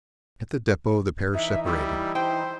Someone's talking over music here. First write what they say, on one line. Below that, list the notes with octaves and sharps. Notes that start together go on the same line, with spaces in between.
At the depot the pair separated.
E3 D#4 E5
G3 E4
C5 G5